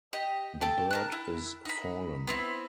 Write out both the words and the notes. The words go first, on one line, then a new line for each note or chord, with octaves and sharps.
The Bird is Fallen.
G4 D#5
A4 G5 A5
A#4 A5 F#6
E4
D#4 B5
B3 C4 E4